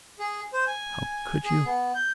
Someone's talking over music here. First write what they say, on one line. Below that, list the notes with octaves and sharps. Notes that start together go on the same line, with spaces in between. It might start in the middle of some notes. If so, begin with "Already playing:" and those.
How could you?
G#4
C5
G#5
G#4
B3
G6